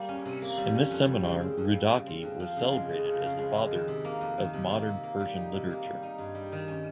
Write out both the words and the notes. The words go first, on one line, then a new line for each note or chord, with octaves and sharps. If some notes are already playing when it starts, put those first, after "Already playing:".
In this seminar, Rudaki was celebrated as the father of the Modern Persian literature.
Already playing: G3 A#3
C#4
C3
A#3
G3
C#4
F2
G3
C#3
C4
F2
G3
C#3
C4
F2
F3
C#3
G#3
F2
F3
C#3
G#3
F2
D#3
C3
A#3
F2
D#3
C3
A#3
C3
A#3
G3
D#4
C3
A#3
G3
D#4
G2
G3
D#3
C#4